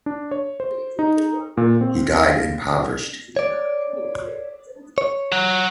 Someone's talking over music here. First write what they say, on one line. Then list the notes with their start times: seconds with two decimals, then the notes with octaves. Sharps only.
He died impoverished.
0.06 D4
0.31 C#5
0.60 C5
0.99 D#4
1.57 A#2
1.81 C4
2.21 F5
3.36 C#5 D5
4.98 C#5
5.32 F#5 A#5